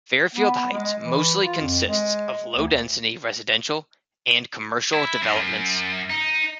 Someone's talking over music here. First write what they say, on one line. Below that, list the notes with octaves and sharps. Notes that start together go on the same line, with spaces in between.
Fairfield Heights mostly consists of low-density residential and commercial developments.
B3
G#3
E3
F4
F2
G#3
D2
E4
F#2
D#4